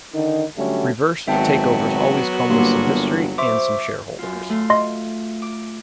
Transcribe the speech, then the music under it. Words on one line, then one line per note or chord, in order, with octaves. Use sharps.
Reverse takeovers always come with some history and some shareholders.
D3 D#3 D#4
D3 F#3 G3 A3 C#4
G#1 F#3 B3 F#4 E5 G5 A5
G1 A#3 G4 A#4 C6
C5 E5 C#6 D6
F#2 F4
A3 F4
D#5 C6 A#6
D6